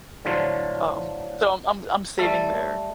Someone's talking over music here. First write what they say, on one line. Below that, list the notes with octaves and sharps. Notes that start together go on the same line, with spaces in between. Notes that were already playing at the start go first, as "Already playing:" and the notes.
Um, so I'm I'm saving there.
A2 D3 F3 F#3 F4
G3 A3 A4